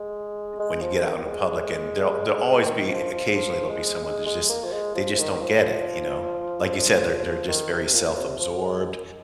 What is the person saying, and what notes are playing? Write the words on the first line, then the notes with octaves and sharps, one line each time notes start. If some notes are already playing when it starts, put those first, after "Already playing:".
When you get out in the public and they'll they'll always be e occasionally, there'll be someone that's just they just don't get it, you know? Like you said, they're they're just very self-absorbed
Already playing: G#3
G#3
F3
D#3
G#3
D#3
F3
F3
F3
G#3
G#3
G#3
A#3
F3
G#3
F3
F3
D#3
F3
D#3
C3
A#2
A#2
C3
F3
G#3